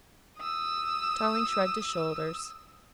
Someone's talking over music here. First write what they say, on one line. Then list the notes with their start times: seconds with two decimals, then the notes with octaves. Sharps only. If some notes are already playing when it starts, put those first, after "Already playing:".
Tarling shrugged his shoulders.
0.37 D#6 E6